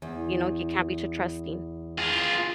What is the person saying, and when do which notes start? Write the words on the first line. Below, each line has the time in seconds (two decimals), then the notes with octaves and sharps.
you know, you can't be too trusting.
0.02 E2
1.98 F4 G#4